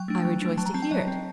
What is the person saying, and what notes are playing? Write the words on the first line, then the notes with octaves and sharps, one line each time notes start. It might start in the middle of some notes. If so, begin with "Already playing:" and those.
'I rejoice to hear it.
Already playing: F#3 G5
A3 D4
F#3
A3 D4
F#3 A5
A#5
C4 A5
G5
F#3 D#5
C4